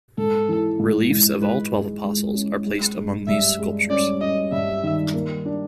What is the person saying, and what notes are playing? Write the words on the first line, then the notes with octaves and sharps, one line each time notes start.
Reliefs of all twelve apostles are placed among these sculptures.
G#2 A4
E3
G#2
G#2
G#3 B4
G#3
G#3
C#4
G#3
G#3
G2 E5
G#3
C#4 D5
C#4 D#5
G2 E5
D#3
A#3
D4